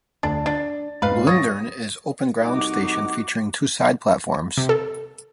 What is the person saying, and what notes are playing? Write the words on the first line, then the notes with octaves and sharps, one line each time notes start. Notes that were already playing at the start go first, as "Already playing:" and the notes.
Blindern is open ground station featuring two side platforms.
D2 D4 A5
D4 A6
G#2 B4 F5
C#5 D#6 A6 A#6
C2 A3 D#4 F#4 D6
C3
A4